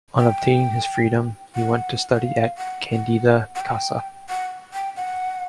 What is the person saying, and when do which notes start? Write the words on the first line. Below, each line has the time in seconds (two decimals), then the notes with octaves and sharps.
On obtaining his freedom, he went to study at Candida Casa.
0.18 G5
1.55 F#5
2.14 F#5
2.24 F5
2.58 F#5
2.92 F#5
3.55 F#5
3.61 G5
4.29 F#5
4.74 G5
4.97 F#5